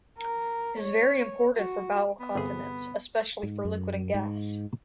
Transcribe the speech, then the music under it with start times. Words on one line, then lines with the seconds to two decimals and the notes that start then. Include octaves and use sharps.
It is very important for bowel continence, especially for liquid and gas.
0.19 A#4
0.81 C#5
1.57 F#4
2.20 B3
2.35 G1 C3 G#4
3.43 G#2
3.65 F#2
4.14 G#2